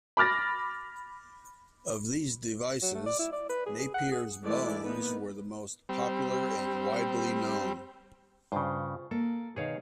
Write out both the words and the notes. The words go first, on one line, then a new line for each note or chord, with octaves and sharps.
Of these devices, Napier's bones were the most popular and widely known.
B5 D6 F6 A6 A#6
F#3
A3
D5
E4
D5
B4
G#4
G#4
F#5
G#4
E3 G#3 A3 E4 D5
A#3 B3 D#4 B4
G3 C4
G2 C#3 F4 C5
A#3 A4
B2 D#3 G#4 C#5 F5